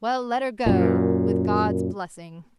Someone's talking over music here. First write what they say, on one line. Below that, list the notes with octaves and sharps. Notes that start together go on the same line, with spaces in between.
"Well, let her go, with God's blessing!"
F#2 A#2